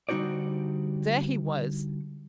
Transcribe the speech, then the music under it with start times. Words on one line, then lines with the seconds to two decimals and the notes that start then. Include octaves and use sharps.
There he was.
0.09 D3 G3 D#4 F#4 C5 D5